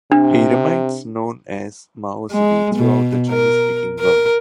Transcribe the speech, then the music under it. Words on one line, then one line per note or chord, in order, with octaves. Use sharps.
He remains known as Mao Sidi throughout the Chinese-speaking world.
C3 D4
G#3
B2
A#4
A#4